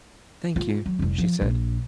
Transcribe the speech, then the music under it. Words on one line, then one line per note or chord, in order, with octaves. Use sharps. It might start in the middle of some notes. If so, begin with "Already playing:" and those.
"Thank you," she said.
F4
F#3
F1 C2
F3
A#1